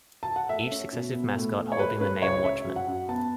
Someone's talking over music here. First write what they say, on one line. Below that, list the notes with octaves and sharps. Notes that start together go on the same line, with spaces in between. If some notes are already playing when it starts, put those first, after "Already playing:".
Each successive mascot holding the name Watchman.
A5
F#5
A3 E5
C#4
B2
B3
A2
A2
C#5
A3 B4
C#4 B4
C#2 C#5
C#4 E5
F#2
F#5
F#2
B3 A5